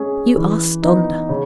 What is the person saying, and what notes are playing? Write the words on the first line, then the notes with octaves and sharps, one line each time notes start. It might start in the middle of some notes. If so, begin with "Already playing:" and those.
You are stunned.
Already playing: G#3 C#4 G#4
E3
B3 D#4
C#3